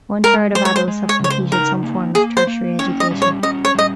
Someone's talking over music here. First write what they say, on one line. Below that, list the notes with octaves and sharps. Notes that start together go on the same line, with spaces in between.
One third of adults have completed some form of tertiary education.
G#3 A#4
G#3 C5
C#5
C5
G#3
C#5
C#3 C#5
C5
D#4 A#4
A#3
A#3 G#4
C5
A#3
C#4 C#5
D#5
G3
C#5
C#4 D#5
C#5
G3 D#5